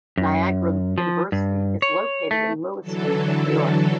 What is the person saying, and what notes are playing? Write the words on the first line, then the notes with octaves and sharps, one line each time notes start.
Niagara University is located in Lewiston, New York.
F#2
F3
G2
C#5
A3
D3 E3 F#3 A4